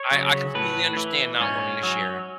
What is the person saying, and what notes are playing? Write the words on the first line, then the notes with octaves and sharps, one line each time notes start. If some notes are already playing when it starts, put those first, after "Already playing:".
I I completely understand not wanting to share.
Already playing: C#5
C#3 F#3
A2 B4
E3
G#2 C#4
F#3